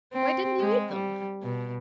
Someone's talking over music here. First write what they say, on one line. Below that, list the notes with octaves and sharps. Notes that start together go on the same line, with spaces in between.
"Why didn't you eat them?"
C4
G#3
G3
B2